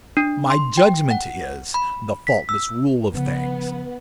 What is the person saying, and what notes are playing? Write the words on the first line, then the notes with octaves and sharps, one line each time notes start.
My judgment is the faultless rule of things.
D4
C6
G5
F#5
B5
B6
E6
C#3 F3 B3